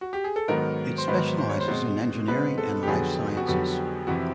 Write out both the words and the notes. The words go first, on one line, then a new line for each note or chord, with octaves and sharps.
It specialises in engineering and life sciences.
F#4
G4
G#4
A4
G#2 D#3 F#3 B3 A#4
C5
G#2 D#3 F#3 B3 B4
C5
C#5
C5
B2 G#3 C4
B2 G#3 C4 B4
A4
G4
F2 D3 F#3 B3 G#4
F#4
F2 D3 F#3 B3 G4
F2 C3 E3 F#4